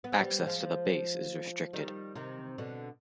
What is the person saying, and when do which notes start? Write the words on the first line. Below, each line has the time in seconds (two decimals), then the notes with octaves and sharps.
Access to the base is restricted.
0.04 B3
0.12 C4
0.20 G3 B3
0.46 F3 G#3
1.73 D#3 G3
2.15 C3 D#3
2.58 B2 D3